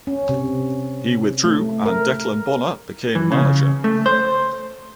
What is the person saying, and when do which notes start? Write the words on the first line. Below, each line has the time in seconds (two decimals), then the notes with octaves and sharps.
He withdrew and Declan Bonner became manager.
0.07 C#4
0.29 C3
1.44 A3
1.86 A#4
3.15 E3
3.32 C#3
3.84 A3
4.06 C5